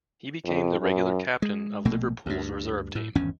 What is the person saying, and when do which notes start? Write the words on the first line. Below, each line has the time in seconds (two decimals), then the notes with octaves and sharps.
He became the regular captain of Liverpool's reserve team.
0.45 F2
0.81 F#2
1.42 G#3
1.85 A#1 B2 A3 A#3
2.26 D2 G2
2.95 A2
3.15 G#1 E2 G2 C#4